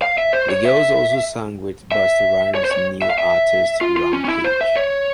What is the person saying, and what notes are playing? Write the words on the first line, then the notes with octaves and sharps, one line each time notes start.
The girls also sang with Busta Rhymes' new artist Rampage.
F5
E5
C5
C#5
E5
E5
C#5
C5
C#5
E5
F5
E5
F4
F4
C#4
C#4
E4
C5
E5
C#5